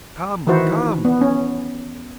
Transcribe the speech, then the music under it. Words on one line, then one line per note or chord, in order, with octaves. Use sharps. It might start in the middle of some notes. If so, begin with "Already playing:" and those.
"Come, come!"
D#3 E3 D#4 E4 F#4 C5
B3
C#4